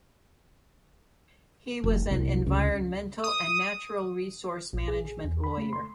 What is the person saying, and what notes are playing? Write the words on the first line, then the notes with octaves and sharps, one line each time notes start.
He was an environmental and natural resource management lawyer.
F1
C2
C#2
D#6
A#1
G#4
E2
B5
A3
C6